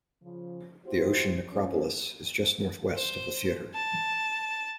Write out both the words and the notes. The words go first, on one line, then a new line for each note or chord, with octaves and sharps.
The ocean necropolis is just northwest of the theater.
C#3 F3
C4 E4 F#4 G4 C5
F3 F#3 C#4
C5
A5